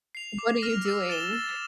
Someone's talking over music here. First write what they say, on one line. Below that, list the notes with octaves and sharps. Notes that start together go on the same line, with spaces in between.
What are you doing
C7 F7
D6
F6 A#6 F7
E6
A6 E7 G7
A6